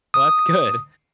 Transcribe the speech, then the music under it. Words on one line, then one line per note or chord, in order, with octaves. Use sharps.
well, that's good.
D#6